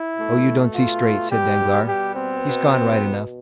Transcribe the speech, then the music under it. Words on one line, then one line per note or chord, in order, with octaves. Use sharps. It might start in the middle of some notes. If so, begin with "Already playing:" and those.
"Oh, you don't see straight," said Danglars; "he's gone right enough."
Already playing: E4
B2 A3
F4
B2 G3 B3 G4
G4
C4
B2 B3